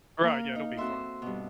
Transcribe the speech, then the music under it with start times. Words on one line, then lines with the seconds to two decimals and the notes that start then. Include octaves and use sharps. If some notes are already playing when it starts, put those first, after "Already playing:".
Right, yeah, it'll be fun.
0.23 A#3 A#4 F5
0.55 D#4
0.77 C4 F#4 A4 E5 C6
1.22 G2 B2